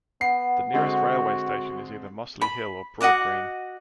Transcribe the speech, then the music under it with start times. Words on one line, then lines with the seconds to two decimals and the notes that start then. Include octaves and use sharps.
The nearest railway station is either Mossley Hill or Broadgreen.
0.21 B3 F#5 C7
0.74 D3 G#3 C4 F#4
2.41 B5
3.01 F#4 D#5 F#5 D6